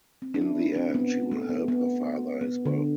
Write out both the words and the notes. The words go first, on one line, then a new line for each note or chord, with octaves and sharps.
In the end she will help her father as well.
C4
D4
E4
D4
C4
B3
A3
B3
B3
B3
D3